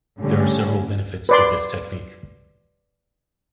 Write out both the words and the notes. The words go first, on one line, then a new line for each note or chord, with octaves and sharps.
There are several benefits to this technique.
A2 D3 G3 C#4
B4 D5 C6